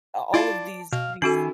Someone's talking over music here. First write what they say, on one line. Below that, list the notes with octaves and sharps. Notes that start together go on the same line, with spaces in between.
a all of these these
E4 F4 D5 F5 A5
B2 F5
D#3 C#4 E4 F#4 A4 G#5 C7